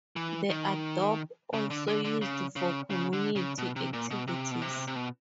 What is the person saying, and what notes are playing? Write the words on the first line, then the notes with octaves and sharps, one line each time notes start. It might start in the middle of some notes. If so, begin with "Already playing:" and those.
The adobe also used for community activities.
E3
D#3
C#3
D3
D3
D3
C#3
C#3
C#3
D3
C#3
B2
C3
A#2
B2
C3
B2
C3
C3
B2